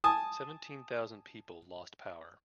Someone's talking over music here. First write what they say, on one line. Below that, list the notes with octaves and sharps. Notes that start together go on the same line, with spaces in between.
Seventeen thousand people lost power.
G#5 A5 D#6